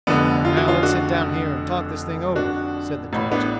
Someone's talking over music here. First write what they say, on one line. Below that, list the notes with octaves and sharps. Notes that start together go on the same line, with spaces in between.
"Now let's sit down here and talk this thing over," said the Judge.
F1 F2 D3 B3 D4
F4
F#4
C#4 F4
D4 F#4
D4 F#4
A1 A2
B3 D4